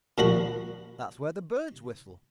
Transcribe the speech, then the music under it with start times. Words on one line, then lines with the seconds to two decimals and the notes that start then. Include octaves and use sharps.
That's where birds whistle.
0.18 A#2 F3 F#4 B5